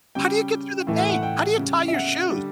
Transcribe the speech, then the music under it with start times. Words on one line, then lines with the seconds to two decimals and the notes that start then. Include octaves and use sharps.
“How do you get through the day? How do you tie your shoes?”
0.15 C#3 G3 G5
0.87 A2 E3 A3
0.96 E5
1.10 F#5
1.23 G5
1.58 C#3 G3
1.88 E5
1.94 F#5
2.29 D3 G3